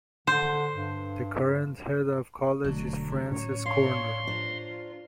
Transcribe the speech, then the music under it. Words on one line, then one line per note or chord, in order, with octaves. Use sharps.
The current head of college is Frances Corner.
D3 C5
G2
E1 B2 D3 F#3 A3 D4
A2 C#4 C#5
D4 C#5 F5 C6
D4 F4 A#4 C5